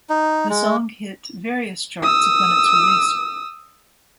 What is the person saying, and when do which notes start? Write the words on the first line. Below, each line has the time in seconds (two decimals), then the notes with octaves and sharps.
The song hit various charts upon its release.
0.10 D#4
0.49 G#3
2.02 D#6 E6